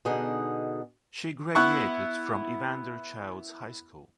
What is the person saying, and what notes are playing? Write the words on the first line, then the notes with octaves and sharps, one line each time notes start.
She graduated from Evander Childs High School.
B2 D3 D#4 G#4 D#5 F#5
B3 E4 F#5 C#6